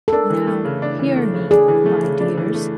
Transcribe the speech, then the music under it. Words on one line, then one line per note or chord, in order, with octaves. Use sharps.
Now, hear me, my dears!
A4
D4 A#4
E3
A3
C#3
D4
E3
A3
C#3
D4 G#4
E3
A3
C#3
D4
E3
A3